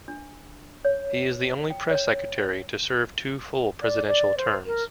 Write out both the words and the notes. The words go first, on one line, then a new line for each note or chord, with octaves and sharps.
He is the only press secretary to serve two full presidential terms.
D4
C#5
G5
C#5
D5
D5
C5
A#4